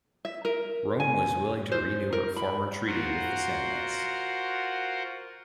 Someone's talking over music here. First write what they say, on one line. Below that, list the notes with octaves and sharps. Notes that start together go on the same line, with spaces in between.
Rome was willing to renew her former treaty with the Samnites.
E5
A#4
G#5
C5
A#4
B5
F4 F#4 A#4 C5 F#5